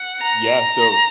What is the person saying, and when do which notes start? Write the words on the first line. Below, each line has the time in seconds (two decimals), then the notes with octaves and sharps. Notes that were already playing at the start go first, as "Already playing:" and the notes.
Yeah, so,
Already playing: F#5
0.22 A#5